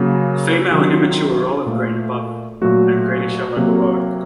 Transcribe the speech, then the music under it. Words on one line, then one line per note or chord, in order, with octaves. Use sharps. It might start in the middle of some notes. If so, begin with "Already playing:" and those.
The female and immature are olive green above and greenish yellow below.
Already playing: C#3 F#3 A#3
C3 D#3 F#3 F4
A#2 A3
A#2 F#3 A3 F#4
C3 F#3 A#3